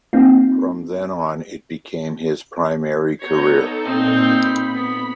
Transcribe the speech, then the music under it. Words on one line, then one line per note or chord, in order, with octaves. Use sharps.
From then on, it became his primary career.
A#3 C4 D#4 F4
B3 C#5 A#5 G6
D#4 A4
A#2 C4 D#4
B5 B6
B3